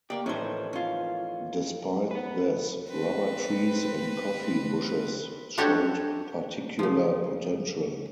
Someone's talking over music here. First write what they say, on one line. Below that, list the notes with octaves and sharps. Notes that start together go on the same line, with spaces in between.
Despite this, rubber trees and coffee bushes showed particular potential.
A#3 G4 D5
F2 A2 D#3 E3 A3 C#4 C5
C#4 F4
B3 B4
C4 B4
D4 F#4 G4 A4 C#5
C#3 F3